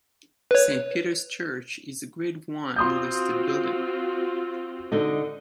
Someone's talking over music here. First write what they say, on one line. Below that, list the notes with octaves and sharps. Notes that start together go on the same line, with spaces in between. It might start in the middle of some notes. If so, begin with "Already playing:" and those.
Saint Peter's Church is a Grade One listed building.
B4 C#5
C4 F4 F#4 C6 D#6 G6
D3 D#4 D#5